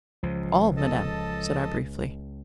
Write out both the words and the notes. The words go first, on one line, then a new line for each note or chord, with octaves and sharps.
"All, madame," said I, briefly.
C#2 F3
A4 D#5 A5